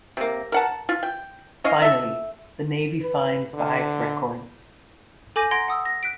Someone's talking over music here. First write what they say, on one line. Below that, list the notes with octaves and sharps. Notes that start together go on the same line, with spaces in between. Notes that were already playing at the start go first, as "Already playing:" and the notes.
Finally the Navy finds Baggs' records.
C3 A#3
A#4 F#5 A5
F4
G5
C#4 D#5 F5
A4 E5
B4
D3
A4 G#5 D6 G6 A#6 D#7
F#5 A#5 C6 G#6 A#6 D7
F#5 D#6 E6
A#6
F#6 B6 D7